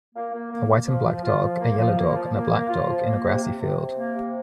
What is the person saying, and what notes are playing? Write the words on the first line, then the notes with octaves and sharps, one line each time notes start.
A white and black dog, a yellow dog and a black dog in a grassy field.
A#3
A#3
A#3
A#3
F3
F3
F4
F3
A#3
F3
A#3
F3
A#3
A#3
F4
F3
A#3
C3
C3
C3
C3
A#3
C3